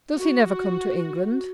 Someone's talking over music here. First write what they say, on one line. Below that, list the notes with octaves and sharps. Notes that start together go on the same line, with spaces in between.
Does he never come to England?'
F#4